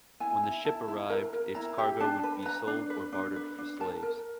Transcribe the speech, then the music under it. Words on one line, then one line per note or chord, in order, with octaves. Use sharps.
When the ship arrived, its cargo would be sold or bartered for slaves.
E4 G#5
E4
E4 A5
E4
A#4 A#5
A#4
E4 A#5
G4
D4 A5
B4
B4 A#5
D4
B4
D4
B4
D4
A#4 A5
A#4